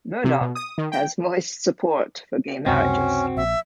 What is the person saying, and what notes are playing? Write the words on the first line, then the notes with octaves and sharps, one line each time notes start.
Murdoch has voiced support for gay marriages.
C3
B2
D#6
D#3
G5
C#2 F#2 C3 C4 C#4 F#4
A#1 E5